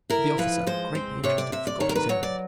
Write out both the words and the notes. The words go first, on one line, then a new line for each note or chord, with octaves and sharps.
The officer, greatly interested, forgot his errand.
E4 A#4
F3 B4
G#3 C5
C4
C3 C#5
D5
C3 E5
D5
D#3 C#5
A#4
B4
F#3 C#5
D5